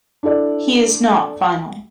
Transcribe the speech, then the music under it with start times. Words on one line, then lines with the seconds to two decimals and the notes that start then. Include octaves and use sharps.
He is not final.
0.23 D4 E4 A4 D5